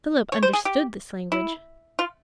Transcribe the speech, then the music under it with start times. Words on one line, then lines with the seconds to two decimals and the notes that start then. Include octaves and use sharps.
Philip understood this language.
0.32 C#5
0.43 C5
0.53 G#4
0.65 G4
1.32 E4
1.99 F4